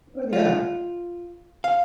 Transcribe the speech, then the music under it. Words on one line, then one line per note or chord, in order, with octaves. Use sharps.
Oh, yeah.
F4
F5